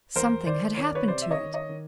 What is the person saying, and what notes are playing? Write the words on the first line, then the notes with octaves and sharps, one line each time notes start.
Something had happened to it.
E2 A#4 C5
D#3 C5 D5
D#3 C#5
D5
B4 C#5
C3 C5 D5
E5
C#5 D#5
D#3
C#5 D#5
D#3